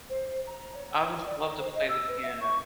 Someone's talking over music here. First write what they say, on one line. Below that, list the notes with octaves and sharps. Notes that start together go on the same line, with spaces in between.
I would love to play the piano.
C5
A#5
C#5
C#5
D5
A#5
C5
D#5
E6
B4
E5
C#6